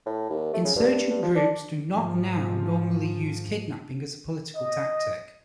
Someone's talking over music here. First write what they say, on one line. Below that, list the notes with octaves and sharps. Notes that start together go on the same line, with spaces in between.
Insurgent groups do not now normally use kidnapping as a political tactic.
A2
D#2
A3
C#3
G2
G2
G2
F3
D4
G#2 F3
D#5